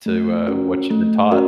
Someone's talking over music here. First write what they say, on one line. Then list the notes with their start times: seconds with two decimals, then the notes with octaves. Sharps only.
to, uh, what you've been taught,
0.06 A3
0.48 C#4 F#4 A#4
0.91 A3
1.31 C#4 F#4 A#4